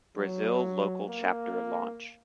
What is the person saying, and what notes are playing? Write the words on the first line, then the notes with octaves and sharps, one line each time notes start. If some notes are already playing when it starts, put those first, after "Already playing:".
Brazil Local Chapter launch.
F#3
A#3